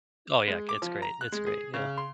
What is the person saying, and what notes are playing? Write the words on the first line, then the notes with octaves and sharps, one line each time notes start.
Oh, yeah, it's great, it's great, yeah.
G#3
D6
F3
A#5
F#6
G#3
G#4
C#3
C6